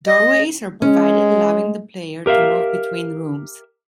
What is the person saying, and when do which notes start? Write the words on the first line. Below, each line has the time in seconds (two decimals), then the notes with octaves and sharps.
Doorways are provided allowing the player to move between rooms.
0.06 D#5
0.82 G#3 C#4
2.26 G4 A#4 E5 F5